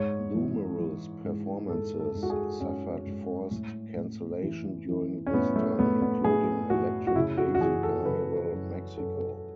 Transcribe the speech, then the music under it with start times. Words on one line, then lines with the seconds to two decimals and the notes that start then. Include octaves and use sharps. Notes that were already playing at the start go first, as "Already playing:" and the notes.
Numerous performances suffered forced cancellation during this time, including Electric Daisy Carnival Mexico.
Already playing: G#2 C#5
0.34 E3
0.79 E3
1.25 G#2
1.69 G#2 A4
2.00 A4
2.15 G#2
2.23 F#4
2.30 G#4
2.60 G#2 C#4
3.06 G#2
3.51 A2
3.96 A2
4.42 E3
4.89 E3
5.26 C#4
5.33 A2 B3
5.56 A3
5.79 A2 B3
6.02 B3
6.24 A2 G#4
6.70 A2 F#4
7.07 F#4
7.16 C#3 E4
7.37 F#4
7.55 F#4
7.60 E3 G#4
7.83 A4
8.05 C#3 B4
8.51 F#2
8.97 F#2 A4